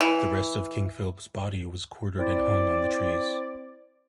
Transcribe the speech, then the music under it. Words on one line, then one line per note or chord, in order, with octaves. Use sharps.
The rest of King Philip's body was quartered and hung on trees.
E3
C4 E4 D5